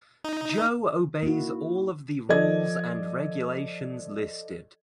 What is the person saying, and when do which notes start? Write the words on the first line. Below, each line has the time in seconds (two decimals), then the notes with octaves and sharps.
Joe obeys all of the rules and regulations listed.
0.24 D#4
1.23 A#3 D#4 E4 F#4
2.29 F3 A4 D5 D#5 G#6